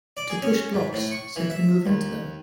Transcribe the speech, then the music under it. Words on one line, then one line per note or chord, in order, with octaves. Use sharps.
To push blocks, simply move into them.
D5
G#4
C#4
G#2
A2
C#6
E3
E5
D#2